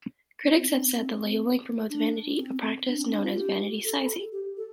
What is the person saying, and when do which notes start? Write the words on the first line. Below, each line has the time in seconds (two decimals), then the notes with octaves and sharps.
Critics have said the labeling promotes vanity, a practice known as vanity sizing.
0.44 D4
0.55 C4
0.68 D4
0.80 C4
0.93 C4
1.90 D4
2.37 C4
2.87 D4
2.98 C4
3.10 D4
3.23 F4
3.36 G4
3.85 A4
4.32 G4
4.57 A4